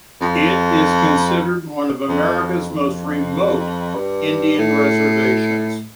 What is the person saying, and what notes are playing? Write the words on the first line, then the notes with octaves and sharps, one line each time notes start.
It is considered one of America's most remote Indian reservations.
F2
F2
F2
G2
A2